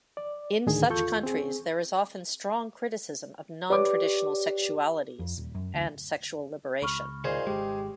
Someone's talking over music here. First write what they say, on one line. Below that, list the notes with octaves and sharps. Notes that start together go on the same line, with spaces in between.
In such countries there is often strong criticism of non-traditional sexualities and sexual liberation.
D5
D2 A2 D3 D#3 G#4
E2 F4 A4 C#6 G6
C4 G#4
G4 B4 C#5 D5 D6
F2
D#1
F#2
D2
C#2 B5 C#6 F6
A#2 D#4 G#4 C5
G#1 G#3 G4